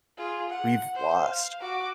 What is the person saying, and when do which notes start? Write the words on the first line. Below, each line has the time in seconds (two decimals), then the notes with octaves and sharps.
we've lost.
0.17 F4 G#4
0.50 F#5
0.95 C5
1.24 F5
1.60 F#4 D6